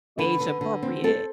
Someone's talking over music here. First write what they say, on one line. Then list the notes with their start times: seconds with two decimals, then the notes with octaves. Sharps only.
age appropriate."
0.18 D3 B4
0.40 D3
0.61 D3
0.83 C4
1.04 C4 A4